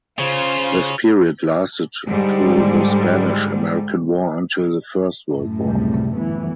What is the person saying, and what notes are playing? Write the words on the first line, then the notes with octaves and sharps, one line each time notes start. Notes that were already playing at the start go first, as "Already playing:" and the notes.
This period lasted through the Spanish–American War until the First World War.
C#3 F4 C5
G#2 D3 G3
F#2 A2
C#2 C3 G3
G1 E3 B3